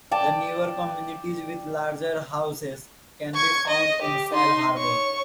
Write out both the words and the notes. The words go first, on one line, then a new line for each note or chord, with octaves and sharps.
The newer communities with larger houses can be found in Sail Harbor.
D5 G5 A5
C#6 G#6
D#5
G4
D#4 C6
C#5 C#6